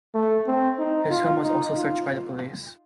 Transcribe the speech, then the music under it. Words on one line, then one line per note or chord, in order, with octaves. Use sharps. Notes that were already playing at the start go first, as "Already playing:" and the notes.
His home was also searched by the police.
A3
C4
D#4
F4
D#4
F4